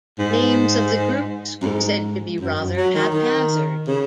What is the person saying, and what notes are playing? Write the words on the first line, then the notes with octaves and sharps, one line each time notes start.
Names of the groups were said to be rather haphazard.
G#2
F#2
G#2
F#2
F#2
F#3
D#3
D#3
C#3